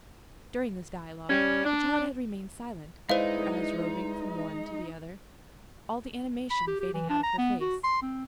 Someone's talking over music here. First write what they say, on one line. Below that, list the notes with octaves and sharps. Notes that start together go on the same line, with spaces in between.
During this dialogue the child had remained silent, her eyes roving from one to the other, all the animation fading out of her face.
G3 C#4
D4
G#3 D#4 E4 B4 C5 D5 F5
B5
G4
G4
E3
D4
A#5
B3
F#4
C6
C4